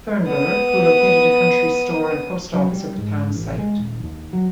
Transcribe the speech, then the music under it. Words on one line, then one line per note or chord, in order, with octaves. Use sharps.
Furnberg, who located a country store and post office at the town site.
B3 D#6
F#3
G3
G#2
A1
G#3
D#1
D#2
F#3